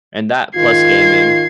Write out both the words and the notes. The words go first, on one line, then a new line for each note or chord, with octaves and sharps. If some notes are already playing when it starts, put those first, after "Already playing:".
and that plus gaming.
G#2 D#3 F4 G#6 C7